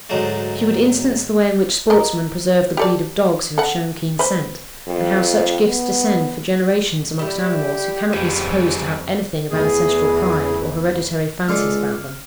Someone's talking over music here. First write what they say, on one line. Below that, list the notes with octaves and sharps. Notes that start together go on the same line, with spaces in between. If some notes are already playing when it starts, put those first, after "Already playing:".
She would instance the way in which sportsmen preserve the breed of dogs who have shown keen scent; and how such gifts descend for generations amongst animals, who cannot be supposed to have anything of ancestral pride, or hereditary fancies about them.
D2 G#2 F#3 A3
A#4 D#5
G4 A4 D5
A4 F#5
B4 C5
F2
B3
G3 E4 G4
F2 C#3 G3 B4 C5
E2 E3 A3 G#4
C#2 G#3 D4 F4 A4 F6